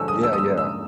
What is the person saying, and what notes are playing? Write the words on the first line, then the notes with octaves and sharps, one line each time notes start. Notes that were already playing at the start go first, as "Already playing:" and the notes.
Yeah, yeah.
Already playing: D3 F3 G#3 C#4 E6
D#6
E6
D#6
E6
E6